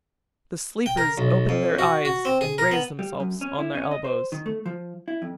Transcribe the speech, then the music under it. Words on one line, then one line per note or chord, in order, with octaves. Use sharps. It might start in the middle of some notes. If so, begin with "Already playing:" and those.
The sleepers open their eyes and raise themselves on their elbows.
G5
A#4
B1
F2
F#4
F#4
C4
G#4
A#4
B3
G3
F#2
C#4
E4
C#4
D#5
C5
D#3
A3
F3
E4
F2